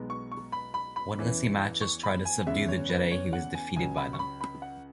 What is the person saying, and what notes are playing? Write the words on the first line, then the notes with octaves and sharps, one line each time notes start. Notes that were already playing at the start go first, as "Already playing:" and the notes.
When Lysimachus tried to subdue the Getae he was defeated by them.
Already playing: B1 B2 G#3 B3
C#6
C#6
B5
B5
B5
E2 E3 C#4
C#6
B5
G#5
E2 C#3 G#3 B3 E5
C#5
B4
C#5
F#5
G#5
C#2 C#3 F#3 G#5
B5
C#6
B5
B5
F#5